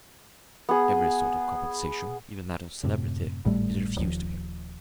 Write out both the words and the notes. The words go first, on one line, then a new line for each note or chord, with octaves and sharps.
Every sort of compensation, even that of celebrity, is refused to him.
B3 G#4
F#2 A2 C3
G#1 A2 G3 A3
D#1 D#2 F3